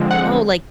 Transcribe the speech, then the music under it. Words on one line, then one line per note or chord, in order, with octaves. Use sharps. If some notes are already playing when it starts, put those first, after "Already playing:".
oh, like
Already playing: D3 F3 G#3 C4
F#5